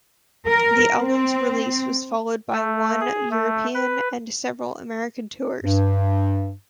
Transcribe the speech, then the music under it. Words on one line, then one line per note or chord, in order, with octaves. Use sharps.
The album's release was followed by one European and several American tours.
A#4
C4
A3
G#4
A3
B4
G2